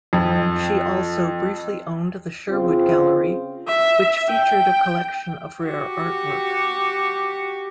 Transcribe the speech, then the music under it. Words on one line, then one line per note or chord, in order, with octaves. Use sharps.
She also briefly owned The Sherwood Gallery, which featured a collection of rare artwork.
F2
C#3 C4 F4
E5
G5
F#4 G4